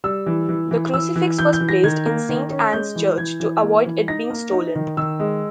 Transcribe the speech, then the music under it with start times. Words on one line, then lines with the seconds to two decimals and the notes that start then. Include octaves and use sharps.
The crucifix was placed in Saint Anne's Church to avoid it being stolen.
0.04 G3 E6
0.26 E3
0.49 E3
0.71 E3
0.94 E3 E6
1.16 E3
1.39 E3 G6
1.53 G6
1.60 E3
1.69 A#6
1.83 D#3 G#6
2.06 A#3
2.29 D#3
2.51 C#4
2.73 G#3 G6
2.96 E3
3.18 E3 G#6
3.40 E3
3.62 A#3
3.86 E3
4.08 D#4 A#6
4.30 A#3
4.52 D#4
4.75 D#3
4.97 D#3 E6
5.20 G#3